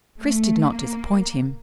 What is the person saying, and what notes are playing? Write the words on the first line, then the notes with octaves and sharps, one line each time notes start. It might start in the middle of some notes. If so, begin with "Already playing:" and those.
Chris did not disappoint him.
A3
A#3